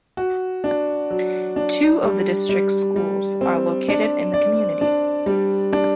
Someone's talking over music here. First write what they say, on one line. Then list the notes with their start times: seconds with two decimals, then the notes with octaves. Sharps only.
Two of the district's schools are located in the community.
0.17 F#4
0.64 D4
1.10 F#3
1.56 D4
2.03 G3
2.49 G3
2.96 G3
3.41 C4
3.88 D4
4.34 D5
4.81 D4
5.26 G3
5.73 D4